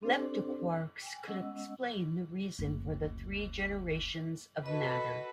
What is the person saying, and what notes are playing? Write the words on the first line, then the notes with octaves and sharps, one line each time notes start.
Leptoquarks could explain the reason for the three generations of matter.
C4 D4 G4 A4 C5 D5
G5 G#5
G#3 B3 C#4 D#5 F#5 E6
F#1 D2
F#4 A4 B4 D#5